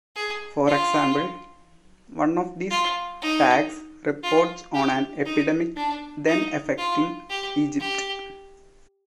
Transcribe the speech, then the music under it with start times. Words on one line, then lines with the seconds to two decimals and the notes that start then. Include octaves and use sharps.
For example, one of these tags reports on an epidemic then affecting Egypt.
0.16 G#4
0.67 F4
2.71 F4
3.21 D#4
4.23 F4
4.74 G4
5.25 D#4
5.76 D4
6.27 D#4
6.78 F4
7.29 G4
7.80 G4